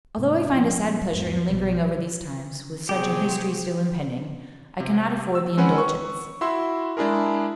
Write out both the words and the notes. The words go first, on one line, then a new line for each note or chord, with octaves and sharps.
Although I find a sad pleasure in lingering over these times, with such a history still impending, I cannot afford the indulgence.
G#2 C3
A#2 F3
E2 G#2
A#1 B2 G3
C3 F#3 B3 G4 G#4
C3
E6
G#3 C4 C#4 B4 F#5
C#6
E4 F#4 E5 C6 E6
G#3 D4 E4 G#4 A#4